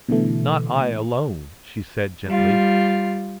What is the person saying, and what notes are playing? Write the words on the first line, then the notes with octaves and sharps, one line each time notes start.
"Not I alone," she said gently.
B2 D3 E3 A3
G3 F4